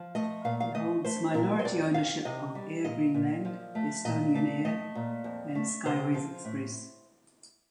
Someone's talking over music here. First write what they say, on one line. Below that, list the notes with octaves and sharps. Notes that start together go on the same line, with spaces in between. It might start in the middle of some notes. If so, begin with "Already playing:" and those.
It holds minority ownership of Air Greenland, Estonian Air, and Skyways Express.
Already playing: F3
A3 D#5
A#2 F5
F5
A3 D#5
A3 C5
A#2 A#4
C5
F2 D5
F2 F5
C3 D#5
G3
A#2 D#5
A#2
F3
A3
A#2 D#5
A3 D5
A3 D#5
A#2
F2
A3
C3 C5
F3
A2